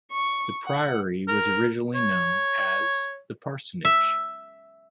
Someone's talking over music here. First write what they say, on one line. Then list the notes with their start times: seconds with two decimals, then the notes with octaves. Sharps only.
The priory was originally known as The Parsonage.
0.12 C#6
0.66 F#5
1.28 A#4
1.95 C#5
3.85 E5